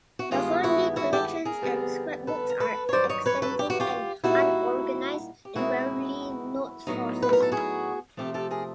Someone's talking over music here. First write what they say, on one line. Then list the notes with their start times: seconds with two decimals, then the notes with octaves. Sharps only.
The Hornby collections and scrapbooks are extensive and unorganised, and rarely note sources.
0.19 F#4
0.31 G2 D#3 G#3 B3 D4 F4
0.63 E4 F#4
0.96 E4 F#4
1.13 G4 A4
1.45 G#4 A#4
1.62 F2 D3 G3 B3
2.27 A4 B4
2.50 A#4
2.60 A4 B4
2.89 C#5
2.93 G2 D#3 F#3 C5 D5
3.09 C#5 D#5
3.26 B4 C#5
3.42 A4 B4
3.59 G4
3.70 F#4
3.80 F4 G4
4.24 A#2 G3 A#3 D#4 E4 F#4
5.45 G4
5.55 B2 G#3 C4 D#4 E4 F#4
6.87 A2 F#3 B3 D#4
7.22 B4
7.33 A#4
7.42 A4
7.52 F#4 G#4
8.17 C3 F3 A3 G4 A4
8.34 G4 A4
8.51 G#4 A#4